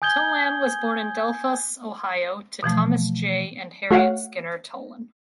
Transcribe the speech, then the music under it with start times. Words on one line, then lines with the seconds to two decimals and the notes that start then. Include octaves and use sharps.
Tolan was born in Delphos, Ohio to Thomas J. and Harriet Skinner Tolan.
0.02 G#5 D#6 G6 G#6 G7
2.63 B2 E3 F3 A3
3.91 A3 F#4 C#5 F5 F#5